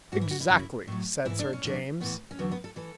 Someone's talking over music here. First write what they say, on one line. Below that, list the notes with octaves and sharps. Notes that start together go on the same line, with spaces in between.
"Exactly," said Sir James.
G#2 E3 F#4
E4
F#4
E4
F#2 C#3 F#3
A2 F#3
G#2 E3 E4
D4
C#4
E2 B2 F#3 D4
A2 E3 B3
C#4
E2 D3 F#3 B3
B3
A4
E3 A4